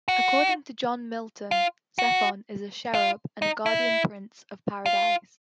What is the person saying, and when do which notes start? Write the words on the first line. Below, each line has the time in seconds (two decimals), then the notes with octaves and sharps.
According to John Milton, Zephon is a cherub and a guardian prince of Paradise.
0.08 F#4
1.51 F4
1.99 F#4
2.94 F4
3.42 D#4
3.66 E4
4.86 F4